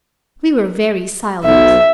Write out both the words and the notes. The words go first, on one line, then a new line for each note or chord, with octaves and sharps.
We were very silent.
B1 E5